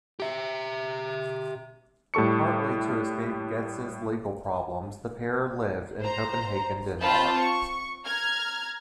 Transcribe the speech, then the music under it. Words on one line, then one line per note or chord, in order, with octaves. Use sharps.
Partly to escape Getz's legal problems, the pair lived in Copenhagen, Denmark.
G4 E5
A2 G3 A4 C#6 C#7
C5 A#5
C4 F4 A5 B5 G6
C#6
A#5 F6 G#6